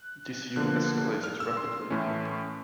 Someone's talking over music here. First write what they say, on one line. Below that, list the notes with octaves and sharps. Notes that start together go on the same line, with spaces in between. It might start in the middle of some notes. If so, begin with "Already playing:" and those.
This view escalated rapidly.
Already playing: F#6
D3 F3 A#3 F#6
F6
E6
C6
A2 E3 A3 C#4